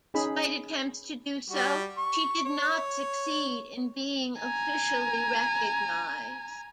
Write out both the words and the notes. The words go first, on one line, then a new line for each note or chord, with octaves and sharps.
Despite attempts to do so, she did not succeed in being officially recognized.
C#4 D#4 G#4 B5
G3 F#4
C#6
C#5
G#5 A#5